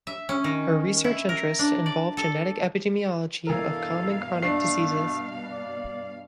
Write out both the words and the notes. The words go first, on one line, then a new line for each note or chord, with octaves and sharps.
Her research interests involve genetic epidemiology of common chronic diseases.
E5
C#4
D#3
E4
A#4
D4
D5
A4
G2 B2 E3 A4 A#4 F5
A3 D4 C7
D5